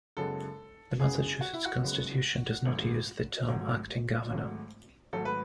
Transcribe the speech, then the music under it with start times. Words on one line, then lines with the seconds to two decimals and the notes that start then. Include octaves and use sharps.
The Massachusetts Constitution does not use the term "acting governor".
0.17 F#1 F#2 C#3 G#3 B3 A4
1.00 F#1 F#2 C#3 G#3 B3 G#4
1.41 F#4
1.54 E4
1.66 F#4
1.82 F#1 F#2 C#3 G#3 B3
2.65 G#1 G#2 F#3 A3
3.47 G#1 G#2 F#3 A3
4.30 G#1 G#2 F#3 A3
5.13 G#1 G#2 F#3 A3 A4
5.25 B4